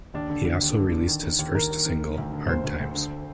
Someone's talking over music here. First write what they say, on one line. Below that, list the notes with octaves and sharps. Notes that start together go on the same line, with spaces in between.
He also released his first single, "Hard Times".
D#2 D4
D3
D3
D#2
D3
D3
D#3
D#3
D#2
D#3 A#4
D#2
D#3
D3
D2
D3
D2 C5
D2
D2
D3